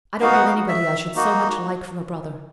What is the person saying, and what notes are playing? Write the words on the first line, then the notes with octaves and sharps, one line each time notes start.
I don't know anybody I should so much like for a brother.
B3 D#4 F#4 F5
F#5
F5
E5
A#3 D#4 F#4